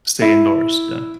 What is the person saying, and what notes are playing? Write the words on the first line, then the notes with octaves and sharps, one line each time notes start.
Stay indoors, yeah,
E4